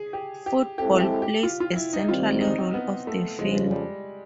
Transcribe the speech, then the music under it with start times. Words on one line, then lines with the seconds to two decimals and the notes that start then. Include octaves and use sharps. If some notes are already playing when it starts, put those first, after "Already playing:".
Football plays a central role of the film.
Already playing: G#4
0.13 G4
0.46 G4
0.78 G#3 C4 E4 G4 A4
1.00 G4
1.22 G4
1.43 F4
1.60 F4
1.76 E4
1.93 D#4
2.09 D#3 G3 C4 F4
2.41 D#4
2.58 C4
2.74 B3
3.07 A3
3.39 F2 C#3 F3 G#3
3.71 G3